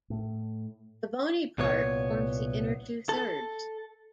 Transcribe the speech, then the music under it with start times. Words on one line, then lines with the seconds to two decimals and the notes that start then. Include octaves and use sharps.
The bony part forms the inner two thirds.
0.10 A2
1.58 C2 A#2 B3 C#5
3.09 A4